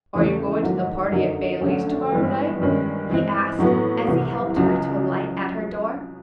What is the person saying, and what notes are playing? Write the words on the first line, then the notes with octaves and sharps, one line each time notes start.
"Are you going to the party at Baileys' tomorrow night?" he asked, as he helped her to alight at her door.
E2 C#3 E3 A3 C#4
G#2 D#3 F#3
F#2 D3 F#3 A#3 D#4
D2 D3 F#3 A3 C#4
G2 E3 G#3 B3
G2 D#3 G#3 C#4
E3 G#3 C4
A2 F#3 B3
C2 C3 E3
C#2 C#3 F#3